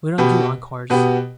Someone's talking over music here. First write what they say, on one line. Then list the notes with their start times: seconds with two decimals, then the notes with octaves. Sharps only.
We don't do encores.
0.18 B2 B3 G4
0.90 B2 B3 G4